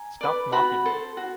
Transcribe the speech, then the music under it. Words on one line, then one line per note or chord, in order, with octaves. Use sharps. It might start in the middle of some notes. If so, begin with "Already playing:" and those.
Stop mocking me.
Already playing: G#5 A#5
B4 D5
F#4 A5 B5
A4 C5
F#4